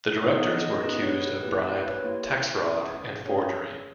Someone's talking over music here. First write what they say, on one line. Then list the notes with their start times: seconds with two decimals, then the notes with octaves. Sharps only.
The directors were accused of bribe, tax fraud and forgery.
0.22 B3 D#4 G#4 C#5
0.42 D#5
0.62 D#5
0.82 B3 D#4 G#4 B4
1.02 C#5
1.23 B4
1.43 A#3 E4 G4 B4
1.64 B4
1.84 C#5
2.04 A#3 E4 G4 C#5
2.65 C#4 G#4
3.26 C#4 G#4 C#5